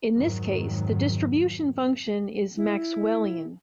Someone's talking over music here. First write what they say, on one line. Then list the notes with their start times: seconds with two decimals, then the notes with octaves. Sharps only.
In this case, the distribution function is "Maxwellian".
0.15 F2 G#2 D#3 F#3
2.56 E4